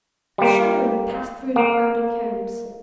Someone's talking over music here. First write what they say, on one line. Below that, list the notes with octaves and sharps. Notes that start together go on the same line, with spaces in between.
A shuddering passed through the crowding cones.
G3 A#3
A#3